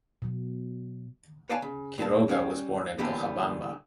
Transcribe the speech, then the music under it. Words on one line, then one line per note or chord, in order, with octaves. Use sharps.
Quiroga was born in Cochabamba.
B2 F#3
B4 C#5 D5 F5 G#5 A5
C#3
G2 A#2 A#3 A5
G3 C#4 F5
D3 E3 G3 A#3 B3 D4